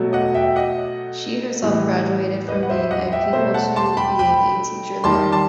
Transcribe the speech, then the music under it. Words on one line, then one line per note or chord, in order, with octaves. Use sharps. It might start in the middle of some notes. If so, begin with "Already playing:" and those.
She herself graduated from being a pupil to being a teacher there.
Already playing: B2 F#3 A3
D#5 F#5
E5 G5
D#5 F#5
A2 E3 G3
B4 D#5
F#5
C5 E5
D#5 F#5
E5 G5
B2 F#3 A3 C5 E5
F#5 A5
A5 C6
G5 B5
G5 B5
D#3 G3 A5 C6
A5 C6